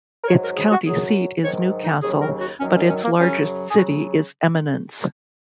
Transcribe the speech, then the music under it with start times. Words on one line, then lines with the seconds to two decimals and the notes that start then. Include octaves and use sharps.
Its county seat is New Castle, but its largest city is Eminence.
0.23 A#4
0.27 G#2 F#3 C#5
0.43 A#4
0.56 G#4
0.72 F#4
0.85 F#2 F#3 G#4
1.44 G#2 D#3 F#3 C#5
1.83 D#4
2.02 D#2 C#3 F#3 G#4
2.22 A#4
2.41 F#4
2.60 F#2 D#3 F#3 C#4
2.74 C#4
2.89 C#4
3.04 A#3
3.18 F#2 C#3 F#3 C#4
3.70 G#4
3.76 C#3 F#3 F#4